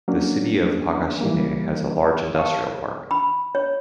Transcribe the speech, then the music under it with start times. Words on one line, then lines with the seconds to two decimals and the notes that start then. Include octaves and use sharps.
The city of Higashine has a large industrial park.
0.08 F#3 A#3 C#4 D4
1.21 E3 G3 A#3
2.35 F5 A5 C#6
3.11 B5
3.55 C#5